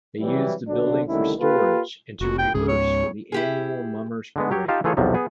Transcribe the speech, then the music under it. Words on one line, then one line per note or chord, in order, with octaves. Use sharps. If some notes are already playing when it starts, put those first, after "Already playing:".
They used the building for storage and to rehearse for the annual Mummers Parade.
C3 E3 F#3 G3 E4
B1 A#2 D3 F#3 D4
C2 D3 D#3 A3 C#4 E4
A#3 F4 G4 A4 B4
F1 F#4
G5
C#2 G#2 C#3 G#4
C#5
E4 G4 G#4
D3 G#3 B3
F#3 G4 C#5
D#4 F4 G4 F5 A5
E3 A3 F4 G#4 A4 C#5
B1 E2 C3 F3 F#3
B3 G#4